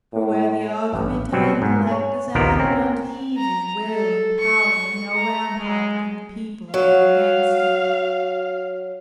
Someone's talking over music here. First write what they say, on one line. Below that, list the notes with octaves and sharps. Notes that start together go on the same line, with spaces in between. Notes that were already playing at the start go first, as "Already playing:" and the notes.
For where the argument of intellect Is added unto evil will and power, No rampart can the people make against it.
A2
A1 G2
B2 F#3 G3 C4
G#2
C#5 G#5
A#1 D#2 C3 F3 B3 A#4
C4 C#4 A#4
A#5
A4
C#6
A#5
G#3
F#3 F5